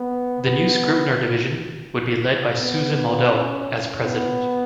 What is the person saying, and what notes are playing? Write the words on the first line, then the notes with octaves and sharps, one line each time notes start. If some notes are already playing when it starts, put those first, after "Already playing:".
The new Scribner division would be led by Susan Moldow as president.
Already playing: B3
B3
B3
C#4
B3